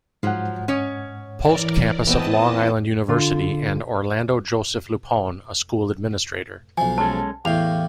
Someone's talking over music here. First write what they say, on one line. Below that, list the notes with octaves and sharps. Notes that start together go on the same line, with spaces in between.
Post Campus of Long Island University, and Orlando Joseph LuPone, a school administrator.
G#2 F3 F#3 F#5
C#4 C#5 D#5
E3 A#4 D5
E3 B3 C4 D#5 A5 D#6
D3 F4
B1 F3 G#5
G#3 C#4 A4 A5
E2 A2 G4 F5 F7